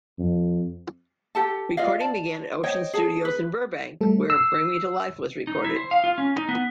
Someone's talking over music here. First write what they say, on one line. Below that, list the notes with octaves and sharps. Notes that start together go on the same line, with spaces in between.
Recording began at Ocean Studios in Burbank, where "Bring Me to Life" was recorded.
F2
G4 A4 A5
F4 D5 D#5 F5
D5 A5
C5 C#5 D#5 G5
G#4 A4
B4
G3 A3 A4
E6 C7
D#4
E4
C5
F5
F4
C#4
D#4
B3